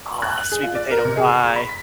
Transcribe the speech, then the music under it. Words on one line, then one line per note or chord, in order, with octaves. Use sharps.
Oh, sweet potato pie.
F#6
F#7
G#4
F4
D5
A#4
C3
G#4
C#6
B5
B6